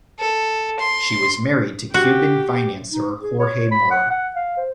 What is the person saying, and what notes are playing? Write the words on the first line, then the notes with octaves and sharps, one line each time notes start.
She was married to Cuban financer Jorge Mora.
A4
C6
F#4 G4
D#4
G#4
C#5
B5
F#5
F#5
F5
C5